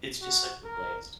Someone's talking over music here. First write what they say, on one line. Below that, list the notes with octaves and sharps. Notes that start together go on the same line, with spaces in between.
it's just such a blast.
F#4
A#4